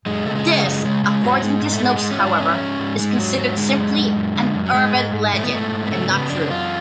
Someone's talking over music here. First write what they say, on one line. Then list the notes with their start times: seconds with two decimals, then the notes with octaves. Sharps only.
This, according to Snopes however, is considered simply an urban legend, and not true.
0.06 F#2 G#3
0.26 C#3 A3
0.36 G#3
0.45 C#3
0.64 F#2 G#3
0.85 C#3 G#3
1.04 C#3 G#3
1.23 G#2 F#3
1.42 G#2 G#3
1.62 G#2
1.73 A3
1.82 G#2 G#3
1.96 G#3
2.02 G#2
2.11 C#4
2.19 G#2 F4
2.26 D4
2.40 G#2 C#4
2.60 G#2
2.79 G#2
2.99 G#2 G#3
3.18 G#2 F#3
3.38 G#2 F#3
3.57 D3 G#3
3.77 F#2
3.97 F#2
4.16 F#2
4.36 D3
4.54 F#2
4.66 F#3
4.74 G#2 G#3
4.94 G#2
5.14 G#2
5.33 G#2 A3
5.44 B3
5.52 G#2 A3
5.72 G#2
5.86 B3
5.90 C#3 A3
6.10 C#3 B3
6.30 F#2 D4
6.49 F#2 F4